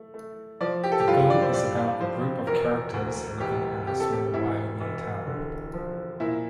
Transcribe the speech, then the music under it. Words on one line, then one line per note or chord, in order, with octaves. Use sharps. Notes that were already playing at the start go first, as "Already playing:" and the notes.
The film is about a group of characters living in a small Wyoming town.
Already playing: A3
A3
F3 D5
G4
A4
G4
G2 F4
D5
C5
G2 D5
F3 C5
E1 A#4
D2
E1 G4
C3 G4
A4
G4
E1 E4
E1
D3
F3
A#2 E4